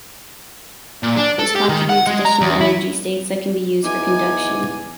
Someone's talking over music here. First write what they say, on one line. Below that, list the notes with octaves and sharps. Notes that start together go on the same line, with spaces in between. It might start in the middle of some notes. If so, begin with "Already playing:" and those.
This contributes additional energy states that can be used for conduction.
A#2
D4
A4
G4
D#3
F#5
G#3
A#5
E2
E4
E2 D#4 G#5 D6